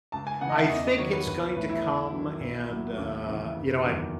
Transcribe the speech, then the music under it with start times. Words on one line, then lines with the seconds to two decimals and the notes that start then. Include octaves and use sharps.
I think it's going to come and, uh, you know, I b
0.12 C#2 A5
0.27 G#5
0.41 C#3 E3 F#5
0.49 D#5
0.55 E5
0.70 E2 D#5
0.84 D#5
0.98 D#3 F#3 C#5
1.12 B4
1.26 B1 B4
1.41 C#5
1.55 A2 E3 B4
1.69 E4
1.84 E2
2.12 D#3 F#3
2.40 B1
2.69 A2 F#3
2.98 D#2 C#4
3.26 C#3 E3
3.55 F#1
3.84 E2 D#3 F#3